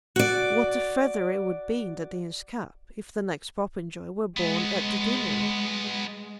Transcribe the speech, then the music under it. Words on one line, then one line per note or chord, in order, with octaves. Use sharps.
What a feather it would be in the Dean's cap if the next Popenjoy were born at the deanery.
F#4 D5
F#3 G#3 B3